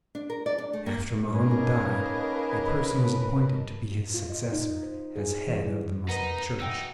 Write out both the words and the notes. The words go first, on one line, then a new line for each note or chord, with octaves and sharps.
After Mohammed died a person was appointed to be his successor as head of the Moslem church.
D4
A#4
D5
D4
A3
A#3
A#3 C#4 D#4 G#4 A#4 B4 D#5 A5
F4
D#5
D#4
C5
G#4
E3
G3
D#4 A#4 B4 F#5 A#5 A#6 D#7
E2 E3 D#4 F#4 G5 E6